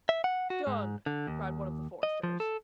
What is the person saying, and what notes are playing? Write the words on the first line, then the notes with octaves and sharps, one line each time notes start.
"Done!" cried one of the foresters.
E5
F#5
F#4
G#2
D3
D#2
D#5
F3
A4